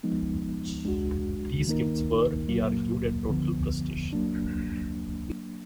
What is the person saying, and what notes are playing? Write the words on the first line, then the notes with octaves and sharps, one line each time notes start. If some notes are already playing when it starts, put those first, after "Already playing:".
These gifts were, he argued, a total prestation.
F3 G#3 B3 D#4
G#3 D4 F#4
D#3 A#3 D#4 A#4
A#2 F#3 A#3
D3 F3 B3
F#3 A#3 D4